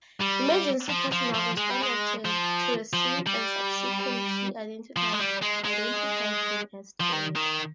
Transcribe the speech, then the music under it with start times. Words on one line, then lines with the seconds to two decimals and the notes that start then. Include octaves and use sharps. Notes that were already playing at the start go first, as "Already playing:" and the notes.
Emergency personnel responded to the scene and subsequently identified him as dead.
0.21 G3
0.90 F3
1.12 F3
1.34 F3
1.57 G#3
1.70 G3
1.83 G#3
2.25 F3
2.93 F3
3.27 G3
4.96 F3
5.13 G#3
5.19 G3
5.42 G#3
5.65 G#3
7.00 F3
7.12 D#3
7.36 D#3